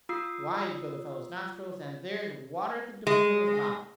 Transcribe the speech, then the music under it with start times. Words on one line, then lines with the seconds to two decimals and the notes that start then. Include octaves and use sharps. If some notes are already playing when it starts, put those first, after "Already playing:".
Wide go the fellow's nostrils, and there's water at the dimples of his mouth!
0.09 F4 D#6 E6 C7
3.07 G#3